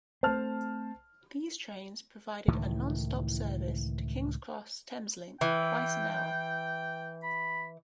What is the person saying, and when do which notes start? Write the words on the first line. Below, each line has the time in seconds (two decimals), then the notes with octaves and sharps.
These trains provided a non-stop service to King's Cross Thameslink twice an hour.
0.23 A3 C4 C5 A5 F6
2.48 C#2 A2 D#3 E3
5.41 E3 G5
7.23 B5